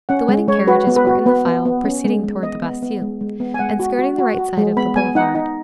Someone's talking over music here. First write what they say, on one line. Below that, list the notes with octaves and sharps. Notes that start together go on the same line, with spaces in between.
The wedding carriages were in the file proceeding towards the Bastille, and skirting the right side of the Boulevard.
C#4 F#5
G#3
G#3 C#5
F#4 B4
B3
B4
F#4
B3 B4
B3
B3
C#4
G#3
G#3
B3 D#5
B3
B3
G#3
G#3
B3
G#5
G#3 F#5
F#4
F#4
F#4
F#4
G#3
B3 B5
B3 G#5
D#4 F#5
D#4